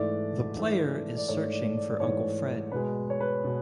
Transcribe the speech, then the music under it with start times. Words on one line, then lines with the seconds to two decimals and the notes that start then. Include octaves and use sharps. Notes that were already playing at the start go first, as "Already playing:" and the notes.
The player is searching for Uncle Fred.
Already playing: G#2 E3 A3 D5
0.57 G#2 E3 A3
1.17 D5
1.28 G#2 E3 A3 C#5
1.52 D5
1.77 D5
1.89 D5
2.00 G#2 E3 A3 C#5
2.72 B2 G#3 B4
3.10 C#5
3.20 B4
3.44 B2